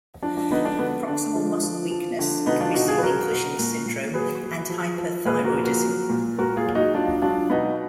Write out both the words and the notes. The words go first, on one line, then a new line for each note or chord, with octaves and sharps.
Proximal muscle weakness can be seen in Cushing's syndrome and hyperthyroidism.
F3 D4
D4
D3 B3 D#4
D4
D3 B3
D3 D4
F3
F3
F3
D3
B2 B3 D#4
D4 F4
B2 D#4 F#4
F4 G#4
B4
F#3 F#4 A#4
B2
A#2
A#2
F#3 G#4 B4
F#3
F3
F3
A#2 G#4 B4
F#4 A#4
F3
F#4 A#4
F#3
A#2
A#2 F#4 A#4
F4 G#4
F#3
D#4 F#4
F#3 D4 F4
F#3 D4 F4
B2 B3 D#4